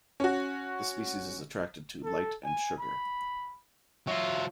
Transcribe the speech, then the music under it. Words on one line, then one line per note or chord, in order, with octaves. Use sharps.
The species is attracted to light and sugar.
C#4 F#4
A4
G#5
B5
F#3 F4 E5